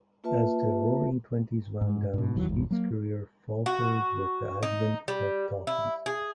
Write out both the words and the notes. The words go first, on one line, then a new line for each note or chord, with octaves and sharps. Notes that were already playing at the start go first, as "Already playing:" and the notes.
As the Roaring Twenties wound down, Sweet's career faltered with the advent of talkies.
A#3 F4 B4 E5 A5
G#2
G#2 B2
E1 D#2 E3 F#3
G1 E2 G#2
F#3 A#3
F#4
D#4
G3
E4
G#4